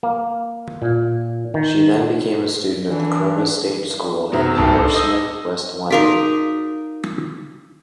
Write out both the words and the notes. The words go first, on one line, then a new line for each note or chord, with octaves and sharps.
She then became a student at the Corona Stage School in Hammersmith, West London.
A#3
A#2
D#3
E3 D4
F#2 C3 F#3 B3 C4 D#4
D1 C2 D#4 A5
D4 A4 C5
D#5 D#6 E6
D#4 F#4 G#4 A#4 D5 F5